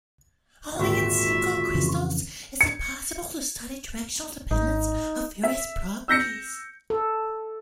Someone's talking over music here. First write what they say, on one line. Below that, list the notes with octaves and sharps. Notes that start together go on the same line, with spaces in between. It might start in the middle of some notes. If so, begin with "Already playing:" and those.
Only in single crystals it is possible to study directional dependence of various properties.
G#1 D2 A#2 F4 F#4 E5
F2 C#3 E3
C#7
G#1 D#4
E5
E6 G6 A#6 C#7
A4